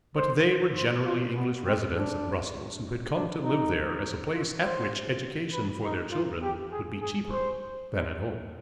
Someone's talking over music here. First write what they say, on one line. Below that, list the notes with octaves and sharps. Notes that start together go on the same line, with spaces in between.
But they were generally English residents at Brussels, who had come to live there as a place at which education for their children would be cheaper than at home.
C5
C5
F4
B3
C4
D4
D4
D#4
F4
C5
B4
D#4
F4
G4
G#4
G#4
C5